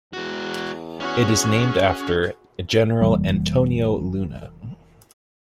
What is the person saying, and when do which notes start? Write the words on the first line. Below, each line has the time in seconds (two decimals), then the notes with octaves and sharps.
It is named after General Antonio Luna.
0.13 E2 G#3 F#4
1.00 C#4 F#4 G#4
3.01 F1 E3 G3 A#3